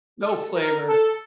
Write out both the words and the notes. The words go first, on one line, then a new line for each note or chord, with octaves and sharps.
No flavor.
A4
A#4
A4